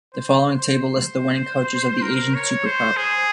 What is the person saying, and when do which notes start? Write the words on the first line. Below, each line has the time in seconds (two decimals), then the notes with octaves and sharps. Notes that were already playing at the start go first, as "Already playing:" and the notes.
The following table lists the winning coaches of the Asian Super Cup.
0.13 C5
0.60 C5
2.02 A#4
2.34 C#5
2.66 C5
2.97 G#4